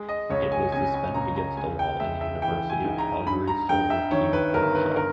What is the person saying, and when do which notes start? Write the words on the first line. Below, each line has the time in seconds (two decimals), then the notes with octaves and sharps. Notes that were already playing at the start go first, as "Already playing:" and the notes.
It is suspended against a wall in the University of Calgary Solar Team's workshop.
Already playing: G#3
0.09 D#5
0.30 C#2 C#5
0.52 G#5
0.72 C#3 G#5
0.94 G#5
1.14 C#2 A#5
1.36 A#5
1.57 G#3 G#5
1.79 G5
2.00 G#3 E5
2.21 E5
2.42 E3 G5
2.70 G#5
2.84 G#2
2.98 A#5
3.26 G2 B5
3.48 A#5
3.69 G2 G5
3.90 E5
4.11 D#3 C#5
4.33 B4
4.54 G1 A#4
4.75 B4
4.96 A#4